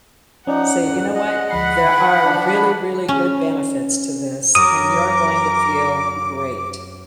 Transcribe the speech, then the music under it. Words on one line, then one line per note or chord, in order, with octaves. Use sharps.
say, "You know what? There are really, really good benefits to this, and you're going to feel great.
F3 C#4 D#4 D5 F#5
F2 G#2
G#3 D#5 F#5
D2 F3 F#5 B5 C7
D#3 G5 G#5
F3 D4
C#4
F#2 A#4 D6 D#6